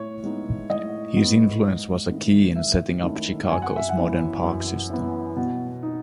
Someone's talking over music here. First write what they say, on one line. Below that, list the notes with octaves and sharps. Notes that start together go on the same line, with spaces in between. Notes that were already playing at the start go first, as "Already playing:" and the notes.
His influence was key in setting up Chicago's modern park system.
Already playing: A2 C#5
G#3 B3 D#4
A2 D#5
G#3 B3 D#4
G#2
D#3 A3 C#4 E4
G#2 E5
D#3 A3 C#4 E4
F#2 G#5
F#5
E5
F#5
E3 B3
F#2
E3 B3
B2
D#4